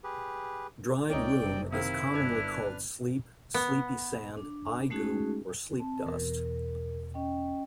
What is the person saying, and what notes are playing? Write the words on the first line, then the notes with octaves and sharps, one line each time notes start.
Dried rheum is commonly called sleep, sleepy sand, eye goop or sleep dust.
G4 G#4 B4
C#2 C#4 D#4 D5 G5
F#1 C3
C3 D#3 C4 E4 F5
G1 D4 B4 D6 F6 G#6
B3
D4
G#3 A3 C#4 D#4 F#4 G#4
C4 A5
E2 B2 A#4
C#4 D#5 G5